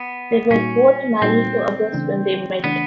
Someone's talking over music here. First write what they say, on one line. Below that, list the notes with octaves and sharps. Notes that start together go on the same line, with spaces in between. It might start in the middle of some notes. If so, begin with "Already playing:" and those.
They were both married to others, when they met.
Already playing: B3
A#2 G3 A#3 C#4 D#4 F#4
A#2 G3 A#3 C4 D#4 F#4
C#3 E3 A3 D4
C#3 E3 A3 B3 D4